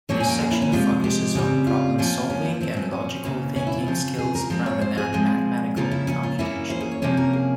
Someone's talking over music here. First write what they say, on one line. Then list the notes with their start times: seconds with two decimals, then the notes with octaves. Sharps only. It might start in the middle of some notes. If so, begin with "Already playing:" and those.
This section focuses on problem solving and logical thinking skills rather than mathematical computation.
0.09 A#2 F3 A#3 C#4 C#5
0.20 G#5
0.30 G5
0.41 G#4
0.51 E4
0.62 C#4
0.72 C3 F3 G#3 F4
1.04 G4
1.35 C#3 G3 C4
1.67 F4
1.98 F3 A#3 C#4
2.30 C#4
2.45 E4
2.61 F3 C4 E4
2.77 C#4
2.92 C#4
3.24 C#3 E3 A#3
3.56 C#4
3.67 E4
3.77 F4
3.87 C#3 F3 C4
4.18 G#4
4.35 A#4
4.50 F3 G#3 C4 C5
4.66 C#5
4.81 C5
4.97 G#4
5.13 F3 G#3 C4
5.76 C#3 F3 A#3 C#4 F4
5.91 E4
6.07 C#4
6.23 F4
6.39 E3 A#3 C#4 E4
6.70 C5
6.81 G#4
6.92 C#5
7.02 C3 F3 A#3 C#4 C5
7.17 A#4
7.33 G#4